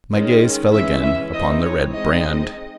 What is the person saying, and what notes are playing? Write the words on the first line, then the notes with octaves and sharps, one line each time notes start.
My gaze fell again upon the red brand.
D#3 G#3 C#4
E3 G#3 C#4 E5
E5
E3 C4 D#4 D#5
C#5
G#3 C4 D#4 D#5